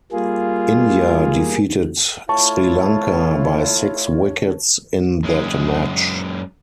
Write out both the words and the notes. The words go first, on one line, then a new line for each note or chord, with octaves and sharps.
India defeated Sri Lanka by six wickets in that match.
G3 A#3 F4 G#4
A3 E4 F4 C#5 A5 C#6
F#2 G#3